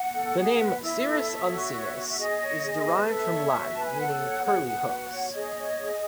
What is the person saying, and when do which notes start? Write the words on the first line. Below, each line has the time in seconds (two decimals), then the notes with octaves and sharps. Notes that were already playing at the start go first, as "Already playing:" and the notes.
The name "cirrus uncinus" is derived from Latin, meaning "curly hooks".
Already playing: F#5
0.15 A4
0.38 G#4
0.60 B4
0.83 E4 E5
1.05 A4
1.28 C#5
1.50 F#4
1.73 C#5
1.96 F#4
2.09 E5
2.18 G#4 D#5
2.41 C#5
2.63 G#4
2.86 B4
3.08 A4 E5
3.31 C#5
3.54 F#4
3.71 B4 A5
3.85 G#5
3.99 A4 F#5
4.21 C#5
4.44 G#4 F#5
4.66 B4
4.89 F#4
5.11 C#5
5.34 G#4 D#5
5.56 C#5
5.79 G#4